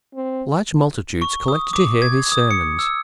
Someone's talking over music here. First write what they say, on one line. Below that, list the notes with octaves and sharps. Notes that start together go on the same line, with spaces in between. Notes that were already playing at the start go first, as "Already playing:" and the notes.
Large multitudes collected to hear his sermons.
C4
C#6
D#6
D6
G#6
D#6
C#7
E6